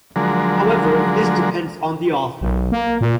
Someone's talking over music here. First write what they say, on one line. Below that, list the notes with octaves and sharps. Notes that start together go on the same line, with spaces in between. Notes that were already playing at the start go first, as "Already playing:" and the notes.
However, this depends on the author.
D3 F3 F#3 G#3 A#4
B1
A#3
A#2